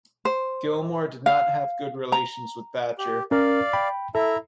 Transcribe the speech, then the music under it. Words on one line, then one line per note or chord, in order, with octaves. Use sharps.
Gilmour did not have good relations with Thatcher.
C5
F5
A#5
G4
C#4 A#4 D5 F5
G5 B5
E4 A4 E5 A#5